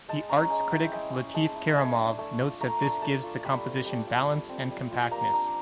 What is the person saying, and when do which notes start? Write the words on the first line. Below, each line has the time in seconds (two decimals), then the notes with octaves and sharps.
The arts critic Latif Kerimov notes that this gives the composition balance and compactness.
0.09 G#3 A5
0.29 C#4 A#5
0.50 G#3 G#5
0.71 E4 G5
0.92 G#3 G#5
1.14 C#4
1.34 G#3 A5
1.55 E4
1.76 A3 G#5
1.97 D4
2.19 A3 A5
2.40 F4
2.61 A3 A#5
2.82 D4
3.02 A3 A5
3.23 F4
3.44 G3 B5
3.65 C4
3.86 G3
4.07 F4
4.29 G3
4.49 C4
4.71 G3
4.92 F4
5.11 A#3 A#5
5.33 D4 A#5